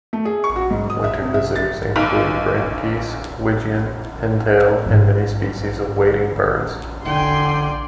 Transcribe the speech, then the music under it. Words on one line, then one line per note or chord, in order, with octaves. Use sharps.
Winter visitors include brent geese, wigeon, pintail and many species of wading birds.
A3
G#4
C#6
F#4
G#2
D#6
E5
C3
E5
A6
B1
G#2 F4
E1 D3 D5 G5 G#5 C6